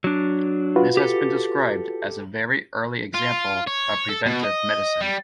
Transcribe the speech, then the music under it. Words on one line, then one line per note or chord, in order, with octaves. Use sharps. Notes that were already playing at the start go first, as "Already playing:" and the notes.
This has been described as a very early example of preventive medicine.
F#3 D4
F4 F#4 B4
G4 A4
F4
C#5
A4
B2
D#5
G3